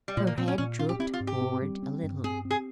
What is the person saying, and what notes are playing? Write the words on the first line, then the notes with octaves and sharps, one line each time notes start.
Her head drooped forward a little.
G3
A#2 F3
A#3
A#2 C4
C#4
A#2 C#4
C#4 F4
G4
C4 E4
F4
G#2
G4
C4
G3
C4
G2
C4 G#4
C4
G#4